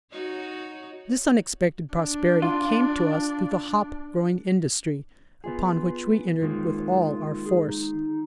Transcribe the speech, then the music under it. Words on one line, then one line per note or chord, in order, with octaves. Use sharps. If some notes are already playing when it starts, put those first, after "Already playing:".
This unexpected prosperity came to us through the hop-growing industry, upon which we entered with all our force.
D#4 F#4 C#5
D4
F4
B3 F4 G#4
D#3 G#3 A#3 F4
G#4
D#4